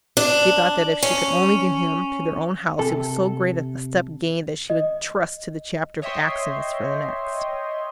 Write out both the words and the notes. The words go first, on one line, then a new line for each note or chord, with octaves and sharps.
She thought that if she could only get him to their own house, it was so great a step gained that she would trust to the chapter of accidents for the next.
D4
C#4
C3 A4
D#5
C#5 D#5 E5 G5 C6